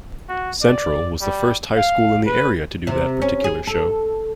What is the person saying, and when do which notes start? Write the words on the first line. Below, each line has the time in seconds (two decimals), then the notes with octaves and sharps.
Central was the first High school in the area to do that particular show.
0.29 F#4
0.62 D5
1.21 G3
1.76 F5
2.26 B4
2.87 C3
3.22 C#4
3.44 G#4
3.67 A4